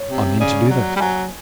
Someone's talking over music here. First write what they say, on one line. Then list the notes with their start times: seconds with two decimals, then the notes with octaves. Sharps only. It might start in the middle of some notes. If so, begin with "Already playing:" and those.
'I mean to do that.
Already playing: C#5
0.10 C3
0.40 C#3 D5
0.70 F#3
0.96 G3
1.00 F#3 G#5